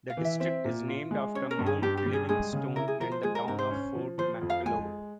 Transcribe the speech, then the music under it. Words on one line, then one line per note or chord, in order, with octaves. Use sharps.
The district is named after Mount Livingstone and the town of Fort Macleod.
F5
E3
E5
C4 E5
A#2
F4
G#3
C#4 C#5
A#4
G2
G#4
G2 G4
G4
G3
G#4
G#3 G#4
C#3
E4 A#4
G#4
F3 A#4
C5
G#3 G#4
A#4
G#2 A#4
C5
C#4
F3
F3 C5
F2
F5
G#3 G#5